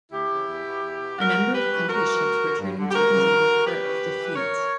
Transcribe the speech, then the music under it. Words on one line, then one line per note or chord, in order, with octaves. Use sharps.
A number of country ships returning to India were part of the fleet.
D2 E4 G4
C#3 E3
E2
B2
E2
B2
G2 F#4 A#4
D3
E2 G4 B4
C#3 E3
F#2 F#4 A#4
E3
D2
D3
G2
D3
G4
D2 F#4 A#4
C#3 E3
G2
D3
E2 G4 B4
C#3 E3
F#2
E3
F#2 A#4 C#5
E3